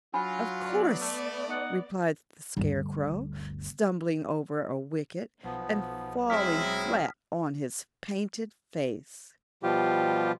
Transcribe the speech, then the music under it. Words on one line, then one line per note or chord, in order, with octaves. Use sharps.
"Of course," replied the Scarecrow, stumbling over a wicket and falling flat on his painted face.
F#3 D4 F4 G#5 B5
B3 D5
A3
D#4 D#5 F#5
G1 D2
B1 F3 B3
F#3 G#3 C4 E4 D#6 F6 B6
B2 F3 G3 F4 G4